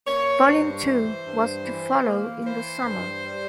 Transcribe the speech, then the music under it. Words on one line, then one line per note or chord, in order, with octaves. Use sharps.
Volume Two was to follow in the summer.
A#3 C#5
G2 C5
E3
G2
E3
A#3
E3 C5
G2
G3